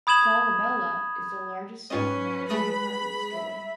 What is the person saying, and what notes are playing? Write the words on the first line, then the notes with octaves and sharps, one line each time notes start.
Falabella, is the largest South American department store.
B5 D#6 G#6 E7 F#7
G#2 C#4 F4 B4 C#5 D#5
G#3 A3 G#4 B5 D#6 A#6
E5